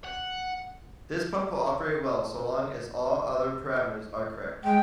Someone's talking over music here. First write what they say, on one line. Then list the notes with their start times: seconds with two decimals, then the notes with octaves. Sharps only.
This pump will operate well so long as all other parameters are correct.
0.05 F#5
4.64 G#3 G5